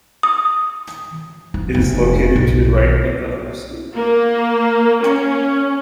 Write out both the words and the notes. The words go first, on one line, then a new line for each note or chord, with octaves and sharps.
It is located to the right of the Upper School.
D#6
F3
F1
B1
A#3
C#4